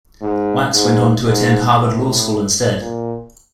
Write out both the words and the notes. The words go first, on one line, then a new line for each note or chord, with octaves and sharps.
Wax went on to attend Harvard Law School instead.
G#2
G#2
G#2
A2
A#2